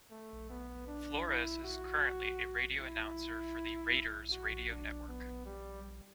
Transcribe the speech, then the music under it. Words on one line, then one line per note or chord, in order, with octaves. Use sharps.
Flores is currently a radio announcer for the Raiders Radio Network.
A3
B3
D4
E4
F#4
E4
F#4
D4
B3
G3